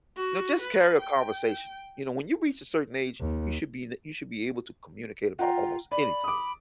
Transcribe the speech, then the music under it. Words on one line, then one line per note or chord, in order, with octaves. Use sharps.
You know, just carry a conversation, you know, when you reach a certain age, you should be in a you should be able to communicate about almost anything.
F#4
B4
G5
D#2
F4 F#5 G5 A#5
D5 B5
D6 D#6